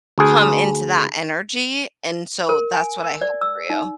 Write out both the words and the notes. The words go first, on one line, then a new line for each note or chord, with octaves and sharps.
come into that energy, and so that's what I hope for you.
D2 G#4
A#4
G#5
E6
D5
E6
D#4